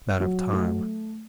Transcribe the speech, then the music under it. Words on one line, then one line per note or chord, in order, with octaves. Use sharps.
That of Time.
F#3
A3